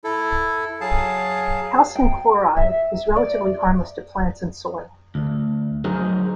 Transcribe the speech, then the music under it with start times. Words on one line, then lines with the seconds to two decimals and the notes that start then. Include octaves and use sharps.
Calcium chloride is relatively harmless to plants and soil.
0.04 E4 A4
0.81 F#3 G#4 F5 A5
1.96 G5
2.57 E5
3.16 D5
5.15 D2
5.85 F#3 D#4 G#4 A#4 C5 D#5